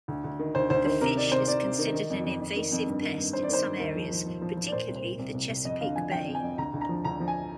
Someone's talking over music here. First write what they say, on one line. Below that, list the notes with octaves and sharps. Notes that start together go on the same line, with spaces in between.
The fish is considered an invasive pest in some areas, particularly the Chesapeake Bay.
D2
D2
D#3
D2 C5
D2 C5
D#3 C5
C3 A#4
D#3 D5
C3 C5
C3 D5
C3
D#3
D#3
F2
F2
F2
D#3
F2
G2
D#3
G2
G2 C5
D5
D#3 C5
G2
D#2
F3
F3
F3
F3
F3
D5
A#2 C5
C2
C5
A#2
C2
C2
C2
F2 D#5
D3 F5
F3 G#5
F3 G5
F2
G#5
F2
D2 A#5
D2
A#5
F3
D2 A#5
F3
G#5